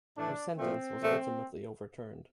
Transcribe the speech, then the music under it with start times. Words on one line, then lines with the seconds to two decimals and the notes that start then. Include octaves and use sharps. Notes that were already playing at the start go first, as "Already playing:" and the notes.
Her sentence was ultimately overturned.
0.17 A2 E3 A3 D4
0.59 A#2 F3 A3 C4
1.00 A#2 F3 A3